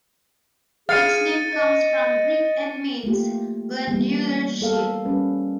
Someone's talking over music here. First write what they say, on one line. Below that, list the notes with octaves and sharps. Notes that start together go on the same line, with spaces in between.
Its name comes from Greek and means "glandular shield".
G#4 F5 A6 C#7 D#7
D#5
A3 A#3 F4 G4
E3 G3 A#3 B3
G3 B3 A4 A#4 F5
G3 C#4 B4